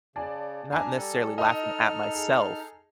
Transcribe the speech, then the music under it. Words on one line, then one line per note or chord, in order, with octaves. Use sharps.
not necessarily laughing at myself.
C#3 D5 G#5 A5
D4 G#5 A#5
G3 A4
D#4 A4 D#5 F6
G#4